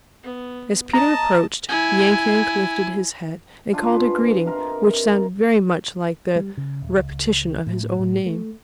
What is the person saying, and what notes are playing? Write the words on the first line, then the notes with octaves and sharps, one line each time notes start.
As Peter approached, Yank-Yank lifted his head and called a greeting which sounded very much like the repetition of his own name.
B3
D#5 A5 A#5
E4 G#5
D4 F4 G#5
B4 C5
C3 D#3 A#4 C5
G3
C#3
D#1
C#2
A2
A2
A3